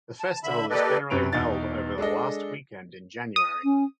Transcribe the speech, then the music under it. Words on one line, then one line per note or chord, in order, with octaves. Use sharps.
The festival is generally held over the last weekend in January.
A5
D3 E5 B5
A#3 G4 A4 B4 D5 D#5
F#2 C3 B4 D7 F7
E2 B2 D#4 A6
G#3 D4 A4 D#5
D#6
C#4